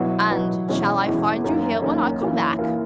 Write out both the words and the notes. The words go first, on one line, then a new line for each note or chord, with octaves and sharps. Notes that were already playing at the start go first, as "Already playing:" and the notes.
"And shall I find you here when I come back?"
Already playing: B2 F#3 B3 E4
B2 F#3 B3 E4
E2 B2 G#3 C#4 E4
E2 B2 G#3 C#4 E4
F#2 D#3 A#3
F#2 D#3 A#3
F#2 E3 A#3
E3 A#3